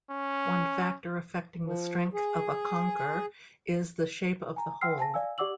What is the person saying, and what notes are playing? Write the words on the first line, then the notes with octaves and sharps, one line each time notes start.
One factor affecting the strength of a conker is the shape of the hole.
C#4
F3
G#4
G#5 A#5
F#5 G5 C6 E6 F6 C7
G#5 A5 A#6
D5 F5 G#5 E6
G4 D5 F#5 D6 E6 F#7